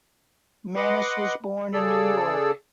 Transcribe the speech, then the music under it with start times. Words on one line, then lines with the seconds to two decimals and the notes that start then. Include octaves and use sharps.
Manus was born in New York.
0.76 B4 D#5 F#5 B5 C6 D6
1.73 C#3 G#4 A4 D5 E6